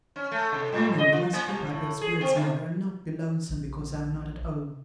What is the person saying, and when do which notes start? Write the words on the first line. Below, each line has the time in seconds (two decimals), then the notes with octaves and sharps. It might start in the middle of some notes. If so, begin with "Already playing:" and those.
'YOU know you must keep up your spirits, mother, and not be lonesome because I'm not at home.
0.16 C#4
0.32 A3
0.52 C3
0.73 A2
0.98 D#5
1.13 F4
1.33 A#3
1.47 B2
1.67 A2
2.01 G#4
2.21 C4
2.36 D3
3.49 A#1